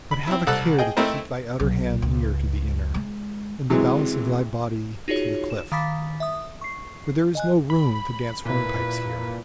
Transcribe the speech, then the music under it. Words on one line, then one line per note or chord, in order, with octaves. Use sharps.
But have a care to keep thy outer hand near to the inner, and the balance of thy body to the cliff, for there is no room to dance hornpipes here.
B5
C4 E4
C2 A4 E6 F#6
G#4 D#5 G5
A3 C4 D#4 E4 A#4 C5
B1
C#2
G#3
C3 E3 F#3 G#3
D#4 F4 F#4 G#4 C#5
E7
D#3 F5 B5 D6 A6 B6
E5 D#6
C#6 C7
D#5 G#5 F#6
B5
A#2 E4 B4